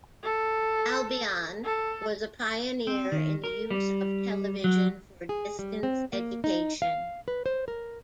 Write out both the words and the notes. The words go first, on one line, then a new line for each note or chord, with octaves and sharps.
Albion was a pioneer in the use of television for distance education.
A4
A4
C4
D#3
A#4
G3
F#3
G#4
G3
C4
A#3
D#4
F5
B4
C5
A#4